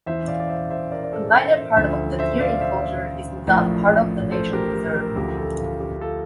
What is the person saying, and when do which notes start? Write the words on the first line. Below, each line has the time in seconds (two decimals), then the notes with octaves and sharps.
A minor part of the deer enclosure is not part of the nature reserve.
0.06 E2 E3 C5 E5
0.28 D5 F5
0.40 D5
0.49 C5 E5
0.70 C5 E5
0.92 A#4 D5
1.04 D5
1.13 A4 C5
1.34 C5 E5
1.55 C5 E5
1.76 D2 D3 F3 C5 E5
2.19 C5 E5
2.40 D5 F5
2.61 C5 E5
3.47 A#1 A2 F3
4.31 A4 C5
4.53 G4 A#4
4.73 G4
4.95 G4 A#4
5.16 D2 D3 F3 G4 A#4
5.37 F4 A4
5.59 F4
5.80 G4
6.01 F4 A4